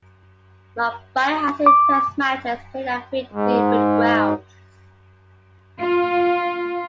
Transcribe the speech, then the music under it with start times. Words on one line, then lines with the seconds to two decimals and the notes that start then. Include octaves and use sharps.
Mumbai has seen Test matches played at three different grounds.
1.66 D6
3.32 G#2
5.79 F4